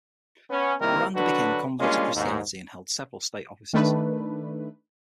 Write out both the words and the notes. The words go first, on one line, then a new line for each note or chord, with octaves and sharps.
Miranda became a convert to Christianity and held several state offices.
B3 C#4
C3 D#3 G3 A#3 E4 A#4
D3 F#3 D4 F#4 B4
G3 G#3 A#3 C#4 D4 F4
D#2 G#2
D#3 A3 D4 B4